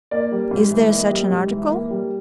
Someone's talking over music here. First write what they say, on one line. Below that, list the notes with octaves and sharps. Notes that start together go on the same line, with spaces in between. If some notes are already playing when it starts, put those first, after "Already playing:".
Is there such an article?
A#3 D5
G3
G#2
E3
A#3 D#5
G3
G#2
E3
A#3
G3